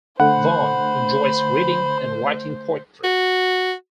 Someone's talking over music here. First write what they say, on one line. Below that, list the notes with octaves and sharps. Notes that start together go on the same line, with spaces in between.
Vaughn enjoys reading and writing poetry.
D3 A3 C5 F#5 B5
F#4